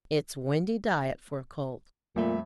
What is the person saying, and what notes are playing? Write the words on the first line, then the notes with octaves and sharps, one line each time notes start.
It's windy diet for a colt.'
F2 A#2 G3 A3 E5 B5